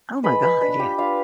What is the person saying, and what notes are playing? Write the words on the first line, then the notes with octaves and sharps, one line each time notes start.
Oh my god, yes.
G#3 B4 B5
G#3 B4 B5
D4 B4 B5
F4 G4 G5
D4 F4 F5